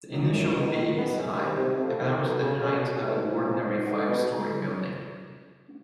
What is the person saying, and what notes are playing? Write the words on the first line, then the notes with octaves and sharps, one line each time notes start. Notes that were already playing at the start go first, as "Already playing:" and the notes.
The initial B is high, about the height of an ordinary five-story building.
D#3 F#3
F#2
D#3 G#3 B3 D#4
D#3
G#3 B3
F#2
D#3 G3 C4
C3
F3 A3 C4
D#2
D3 F#3 B3
C#3
F#3 A3 C#4
C2
B2 F#3 A3
G#2
F3 G#3 C#4
G#2
E3 A3 D4 F#4
B2